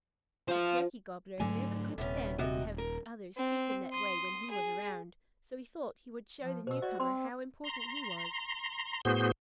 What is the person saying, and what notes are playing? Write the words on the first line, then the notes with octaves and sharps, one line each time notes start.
The Turkey Gobbler never could stand it to have others speak in that way when he was around, so he thought he would show the newcomer how important he was.
F3 C5 F5
G#2 D3 F#3 A3 G#5
D#1 C3 B3 C#4
C3 F#4 D#5
A#4
C4
C6 D#6
G#4
F3
B2 C5 E6
F#4 D5 D#5
C4 C5 C6
A#5 C6
A2 B3 F#4 G#4 C5 G6